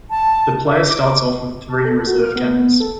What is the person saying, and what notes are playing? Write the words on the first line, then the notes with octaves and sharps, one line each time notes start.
The player starts off with three reserve cannons.
A5
E5
D6
A5
A4
F#4
F6
B3
B3
A4